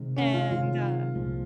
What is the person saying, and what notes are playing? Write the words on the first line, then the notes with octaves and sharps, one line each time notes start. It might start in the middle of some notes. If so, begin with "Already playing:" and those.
And, uh,
Already playing: C3 D#3 G#3
C#4
F4
C3 D#3 G#3 F4
C2 A#2 F3 G#3